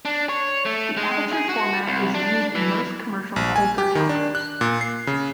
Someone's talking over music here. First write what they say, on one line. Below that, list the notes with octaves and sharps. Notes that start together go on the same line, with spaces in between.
The aperture format is used in most commercial Coulter counters.
D4
C#5
A3
G#3
G#4
F#4
C2
D4
E3
A#1
G#5
G4
D#3
D4
F#6
A#2
C7
C#3